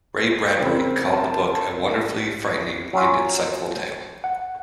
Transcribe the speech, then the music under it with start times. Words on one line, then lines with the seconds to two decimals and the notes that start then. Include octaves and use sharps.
Ray Bradbury called the book "a wonderfully frightening and insightful tale".
0.57 C#3 C4 A#4
1.09 A5
2.93 F#3 C#4 F4
4.24 F#5